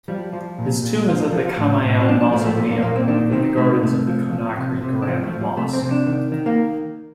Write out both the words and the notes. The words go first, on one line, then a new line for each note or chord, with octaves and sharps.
His tomb is at the Camayanne Mausoleum, within the gardens of Conakry Grand Mosque.
F3 G3
F3 G3
A#2
A#2
F3 F4
D#4
F3 A4
F4
A2
A2
C4
F3 D4
D4
F3 A3
A#3
A3
A#2 A3
A#3
A#2 A#3
C4
D#3 D4
D#3 C4
C3 A3
C3 A3
F3
F3
C3
C3
D4
F3 C4
A3
F3
G3
C3 A3
C4
C3
D4
D#3
D#3
A#3